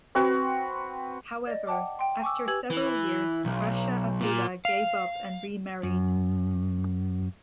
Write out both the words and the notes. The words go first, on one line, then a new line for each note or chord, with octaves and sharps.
However, after several years Raja Abdullah gave up and remarried.
C4 F#4 B4
D5 D#5
F#5 G5 A5 D6
G5 C6
G#5 C#6 D6 E6
G4 B4 G#5 E6 G#6 F#7
E3
B1
A#2
F5
F#2